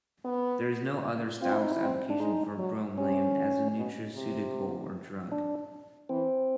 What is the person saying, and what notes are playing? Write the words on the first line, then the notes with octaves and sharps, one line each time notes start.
There is no other established application for bromelain as a nutraceutical or drug.
B3
C4 F4
E4
D#4
E4
C4
D4
G#3 D#4
F#3
C3 C#4
B2
C3
D4
E3 C4